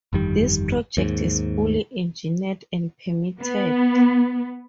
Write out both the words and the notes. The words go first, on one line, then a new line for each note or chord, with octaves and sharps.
This project is fully engineered and permitted.
G1 F2 D#3 G3
D#2 G#2
B3